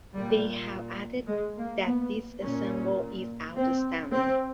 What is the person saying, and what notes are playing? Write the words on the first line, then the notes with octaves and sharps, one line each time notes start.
They have added that 'this ensemble is outstanding.
A#2 G3
G#3
A#3
B3
A#2 C#4
C4
C4